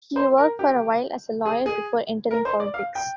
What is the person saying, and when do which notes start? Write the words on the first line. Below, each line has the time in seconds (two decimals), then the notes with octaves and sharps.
He worked for a while as a lawyer before entering politics.
0.16 C5
0.38 A#4
0.59 G4
1.45 G#4
1.66 G#4
2.31 A#4
2.45 C5
2.60 D5
2.74 F5
2.95 G5